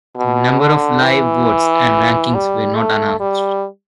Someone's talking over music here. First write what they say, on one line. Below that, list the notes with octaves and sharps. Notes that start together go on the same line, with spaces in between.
The number of live votes and rankings were not announced.
B2
D3
E3
G3
A3
G3